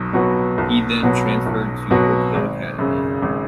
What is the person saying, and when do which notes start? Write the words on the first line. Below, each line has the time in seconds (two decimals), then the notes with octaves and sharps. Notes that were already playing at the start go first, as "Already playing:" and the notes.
He then transferred to Oak Hill Academy.
Already playing: B1 B2 F#3
0.13 B2 F#3 B3 F#4
0.58 B1
1.02 B2 F#3 B3 F#4
1.46 B1
1.91 B2 F#3 B3 F#4
2.34 G#1
2.79 F#2 C#3
3.22 G#1